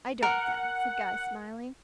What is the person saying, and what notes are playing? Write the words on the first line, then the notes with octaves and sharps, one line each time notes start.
'I don't, then,' said Guy, smiling.
A#4 F#5